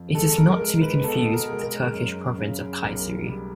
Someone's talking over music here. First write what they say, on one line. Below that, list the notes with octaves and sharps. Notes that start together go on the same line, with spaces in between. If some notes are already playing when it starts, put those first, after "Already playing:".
It is not to be confused with the Turkish province of Kayseri.
Already playing: F2
G#3 A4
A#4
G#3 A#4
B4
B2 A4
A#4
G#3
A#4
F#2
C#3
B1 A#4
G3